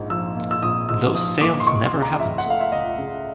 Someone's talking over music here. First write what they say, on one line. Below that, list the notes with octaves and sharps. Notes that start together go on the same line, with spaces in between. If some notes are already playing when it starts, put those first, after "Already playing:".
Those sales never happened.
Already playing: A#1 G#2
F3 E6
A#3
E6
A#1 D#6
G#2 E6
F3 D#6
A#3 D6
C6
C#2 C#6
C6
C#3
A#5
F3 E5
F#5
A3 F5
E5
C#2 D#5
C#3